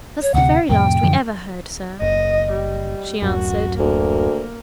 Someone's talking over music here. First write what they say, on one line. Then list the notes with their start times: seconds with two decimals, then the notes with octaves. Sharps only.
"That's the very last we ever heard, sir," she answered.
0.22 C#5
0.34 D2 C3 F#5
0.69 F2 A2 C3 G5
1.03 F#2 D3 F3
2.02 F#1 D#5
2.52 G3
3.22 D1 F#2 F#4
3.79 D2 A#3